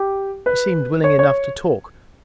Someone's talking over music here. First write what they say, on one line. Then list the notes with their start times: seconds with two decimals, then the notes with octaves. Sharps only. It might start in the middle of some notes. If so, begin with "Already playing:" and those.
She seemed willing enough to talk.
Already playing: G4
0.46 B4
1.04 C#5
1.19 C#5